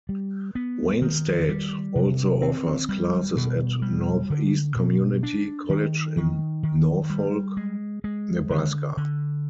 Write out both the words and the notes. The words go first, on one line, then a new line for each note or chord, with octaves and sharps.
Wayne State also offers classes at Northeast Community College in Norfolk, Nebraska.
G3
B3
D#3
G3
C3
C4
G3
B2
G3
D3
B2
D4
D#3
D#3
D#3
G3
G#3
G#3
D3
D3